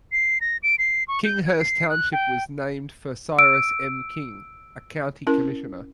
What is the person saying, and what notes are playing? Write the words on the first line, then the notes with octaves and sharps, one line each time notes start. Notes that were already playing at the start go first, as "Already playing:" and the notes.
Kinghurst Township was named for Cyrus M. King, a county commissioner.
C7
A#6
D7
C7
C#6
G6
G#6
C7
F#6
G5
E6 D7
C#4 E4 A#4